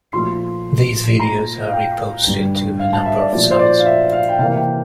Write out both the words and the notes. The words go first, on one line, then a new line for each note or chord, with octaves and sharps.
These videos are re-posted to a number of sites.
A#2 F3 A3 C6
A#2 A3 A#5
F5
G5
G2 D3 G3
F5
A5
E5
D5
A#2 F3 A3 D5
C5
D5
F5
E5
F5
G5
C3 E3 A#3 F5
G5